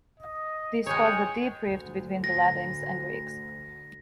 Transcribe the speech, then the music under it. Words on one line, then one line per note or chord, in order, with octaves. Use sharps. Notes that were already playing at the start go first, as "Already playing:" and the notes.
This caused a deep rift between the Latins and Greeks.
D#5
G#3 G#4 C#5 G5
D2
A#6